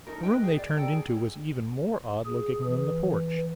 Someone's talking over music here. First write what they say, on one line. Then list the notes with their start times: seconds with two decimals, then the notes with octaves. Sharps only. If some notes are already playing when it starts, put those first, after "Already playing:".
The room they turned into was even more odd-looking than the porch.
0.07 C#4 D#4 A4 A#4
0.23 B4 D#5 G5
0.44 G#4 G5
0.58 D5
0.77 A4 G5 A#5
0.92 G#4
2.25 G#4
2.66 E3